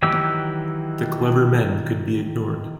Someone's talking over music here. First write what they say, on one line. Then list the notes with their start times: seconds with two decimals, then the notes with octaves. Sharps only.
The clever men could be ignored.
0.02 D#3 E3 F#3 G4 E6